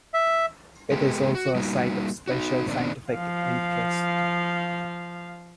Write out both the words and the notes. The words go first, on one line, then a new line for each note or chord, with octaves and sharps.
It is also a Site of Special Scientific Interest.
E5
G#3 B3 G4 A4
F#4
G3 A#3 D#4 F#4
D#4 F#4
A#2 D#3 C4 D4
F3 F5